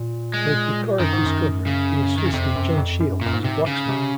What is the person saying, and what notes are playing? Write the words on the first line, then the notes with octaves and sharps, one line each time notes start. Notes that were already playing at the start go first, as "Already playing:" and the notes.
With the Corps of Discovery, he assisted John Shields as a blacksmith.
Already playing: A#2
G#3
F#2 D#3
G#2
F#2
C#3
D#3
C#3
F2 C3
F#2
F2
F#2
F#2 A#2
G#2
C3
C#3
C3